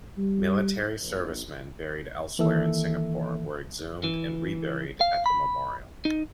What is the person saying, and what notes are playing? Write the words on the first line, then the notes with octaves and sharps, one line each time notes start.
Military servicemen buried elsewhere in Singapore were exhumed and reburied at the memorial.
G3
A#1
D#3 E3 A#3 A4 E5 E6
E3
F5
B5
D#4